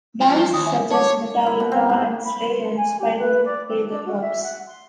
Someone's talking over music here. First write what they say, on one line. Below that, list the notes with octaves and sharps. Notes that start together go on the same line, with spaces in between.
Bands such as Metallica and Slayer inspired him to play the drums.
F3 F4
G7
D#2 D#6
E5 G#5
C#5 A5 D6
E4
B2
C4
G#2
B5
C6
G#5
G4
B4
D5
C4
D4
F#4
E5
F#5
C6